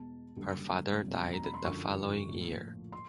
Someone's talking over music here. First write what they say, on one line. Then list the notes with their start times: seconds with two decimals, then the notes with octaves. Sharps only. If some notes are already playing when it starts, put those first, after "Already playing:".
Her father died the following year.
Already playing: E2 B2 G#3 A5
0.36 F#1 F#2 D3 G3
1.01 E1 E2 C#3 F#3
1.33 A#5
1.44 B5
1.54 C6
1.64 F#2 D3 F3 C#6
2.28 A#1 A2 F3
2.92 C6